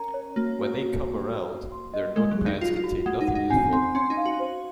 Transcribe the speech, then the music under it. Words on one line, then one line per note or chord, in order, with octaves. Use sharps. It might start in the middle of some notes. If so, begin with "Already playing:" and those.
When they come around, their notepads contain nothing useful.
Already playing: C#4 A#4 A#5
C#5
A#3 F#4
F#4
F#4
F#4
F#4
F#4
C6
D#5
G#3 D#5
F#3
G#4
D#4
F4 F#4
F4
F#4
G#3 F#5
D#4
F#5
D#4
C4 G#5
C4 C6
C#4 C6
D#4
F5
F#4
C5